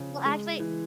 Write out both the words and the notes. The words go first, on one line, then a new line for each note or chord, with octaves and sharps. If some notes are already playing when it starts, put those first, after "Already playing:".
Well, actually
Already playing: C#3 F3
G#3
E3